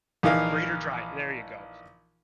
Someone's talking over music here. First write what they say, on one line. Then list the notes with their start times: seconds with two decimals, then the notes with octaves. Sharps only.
greater dry, there you go,
0.23 A#1 E3 D#4 A#4 F5